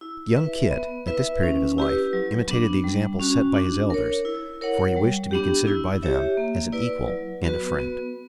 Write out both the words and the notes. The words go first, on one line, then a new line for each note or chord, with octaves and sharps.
Young Kit, at this period of his life, imitated the example set by his elders, for he wished to be considered by them as an equal and a friend.
E4
B4 E5
B3
E4 B4 E5
C#4
E4 G4 B4
F#3
B3 D4
G3
C#4 F#4
D4
A#4 C#5
E4
A#4 C#5 F#5
G3
B3 D4 G4
E4
G4 C#5 E5
A#3
E4 B4 D5
F#3
B3 F#4 B4
B3